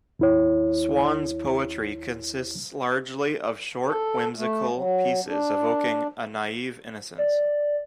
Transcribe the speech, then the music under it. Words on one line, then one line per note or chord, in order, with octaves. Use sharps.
Swann's poetry consists largely of short, whimsical pieces evoking a naive innocence.
D#2 E4 C#5
A4
A3
F#3
D4
D5